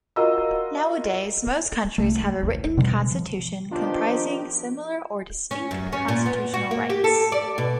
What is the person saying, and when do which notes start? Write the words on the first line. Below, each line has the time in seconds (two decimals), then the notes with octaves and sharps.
Nowadays, most countries have a written constitution comprising similar or distinct constitutional rights.
0.16 F4 F#4 A#4 D#5 A#5 E6
1.98 C2 A3
2.43 A1 E2
2.77 B2 D3 E3 G3
3.12 F3
3.71 D#3 F3 B3 D4 F4 G4
5.51 C#4
5.71 F#2
5.92 C#4
6.08 A#2
6.26 B3
6.54 F#4
6.71 A#3
6.90 G4
7.04 A4
7.32 D5
7.58 B2